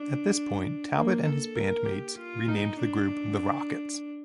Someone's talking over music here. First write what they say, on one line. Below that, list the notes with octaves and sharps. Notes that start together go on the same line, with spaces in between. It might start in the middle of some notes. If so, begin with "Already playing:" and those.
At this point, Talbot and his bandmates renamed the group The Rockets.
Already playing: D4
A#3
A4
A#4
G4
F4
D#4
D4